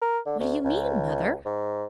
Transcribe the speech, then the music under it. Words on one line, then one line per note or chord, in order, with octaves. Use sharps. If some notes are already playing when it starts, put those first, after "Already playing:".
"What do you mean, Mother!"
A#4
D3
D2
C#2
G#2